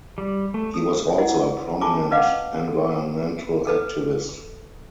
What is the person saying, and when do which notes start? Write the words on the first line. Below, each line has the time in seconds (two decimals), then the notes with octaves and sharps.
He was also a prominent environmental activist.
0.18 G3
0.54 A3
0.74 D#6
1.18 E4 D#5 F#5
1.81 C#4 F4 G#5 A5 C#6 D6
2.11 C#4 B4 D#5 F5 F#5 D6
2.68 A4
3.67 A4 B4